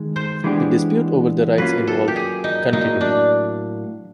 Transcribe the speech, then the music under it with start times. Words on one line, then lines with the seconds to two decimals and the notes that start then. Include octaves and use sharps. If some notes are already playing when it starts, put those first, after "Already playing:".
The dispute over the rights involved continued.
Already playing: D#3 G#3
0.16 C5
0.44 E3 G#3 B3 D4 G4
1.58 F#3 A#3 C#4 F4 B4
1.87 A4
2.08 G4
2.16 G#4
2.44 D#4
2.72 A2 F#3 A#3 D#4
3.01 D4